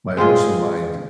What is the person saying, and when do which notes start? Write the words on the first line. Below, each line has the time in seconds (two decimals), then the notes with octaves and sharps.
my emotional mind
0.17 G#3 C4 F4 G#4